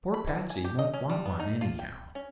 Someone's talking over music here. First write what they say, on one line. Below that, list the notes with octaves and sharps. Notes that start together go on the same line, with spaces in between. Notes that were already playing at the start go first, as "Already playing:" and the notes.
Poor Patsey won't want one, anyhow.'
B5
E3
G#5
G4
D#5
C#4
G3
B3
D#4
F4
G5
C#4